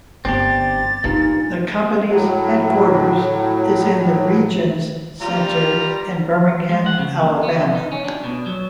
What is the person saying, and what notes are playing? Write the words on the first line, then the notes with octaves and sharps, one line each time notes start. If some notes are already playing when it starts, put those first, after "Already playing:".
The company's headquarters is in the Regions Center in Birmingham, Alabama.
G1 C4 D4 G4 A6
G2 A#2 D#4
A2 F#3
G3 F4 A#5
G#3
F#5
C#3
D#2
B3
F2
D#4
C#4
D4
B2
F#3